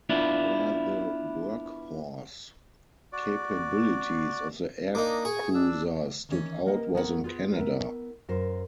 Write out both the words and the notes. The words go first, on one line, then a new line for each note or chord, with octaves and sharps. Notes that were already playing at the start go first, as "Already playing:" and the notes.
Where the workhorse capabilities of the Aircruiser stood out was in Canada.
B3 D4 E4 F4
F#4 D5
A#3 D4 D#4 D#5
G#4 G#5 C#6
D4 E6
D#3 E3 C#4
A#3 A#4 D#5 F#5
B3 C#4 A4 A#4 D5 F#5
F4 G#4 B4
B3 E4 A#4
F#2 A#4 C5